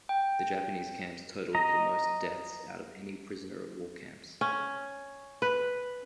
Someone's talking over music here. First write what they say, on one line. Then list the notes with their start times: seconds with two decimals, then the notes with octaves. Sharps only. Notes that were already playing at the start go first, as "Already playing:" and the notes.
The Japanese camps totalled the most deaths out of any prisoner of war camps.
0.09 G5
1.55 D#5 A#5
4.41 C#4
5.42 B4